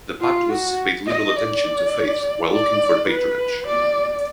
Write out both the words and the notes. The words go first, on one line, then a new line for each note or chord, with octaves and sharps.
The Patuas paid little attention to faith, while looking for patronage.
F4
F#4
D#5
D5
D5
B4
D5